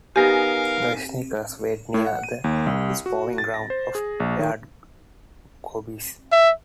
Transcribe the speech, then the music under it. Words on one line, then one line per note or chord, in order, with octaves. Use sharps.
The sneakers wait near the spawning ground of paired gobies.
B3 D#4 G4 A#4 F5 G#5 A6 A#6
A2
F#5
D#7
D#2
C2
F#4
A6
A#6
C5
G#4
A#1
D#3
E5